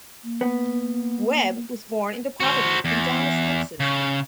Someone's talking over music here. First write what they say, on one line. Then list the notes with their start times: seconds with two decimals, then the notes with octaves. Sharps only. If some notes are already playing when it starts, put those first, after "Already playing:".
Webb was born into poverty in Dallas, Texas.
0.24 A#3
0.41 B3
2.40 F#4 C5
2.85 E2
3.80 C#3